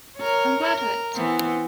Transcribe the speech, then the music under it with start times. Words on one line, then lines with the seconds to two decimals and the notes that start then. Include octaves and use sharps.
I'm glad of it!
0.17 A#4 C#5
0.65 A#4
1.13 E3 B3 C4